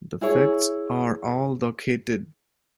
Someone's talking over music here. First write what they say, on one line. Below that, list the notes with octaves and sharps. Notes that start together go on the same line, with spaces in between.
The facts are all docketed.
E4 G#4 C#5